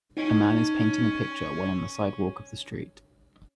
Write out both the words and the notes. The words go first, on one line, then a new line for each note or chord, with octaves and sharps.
A man is painting a picture while on the sidewalk of the street.
C#4 D#4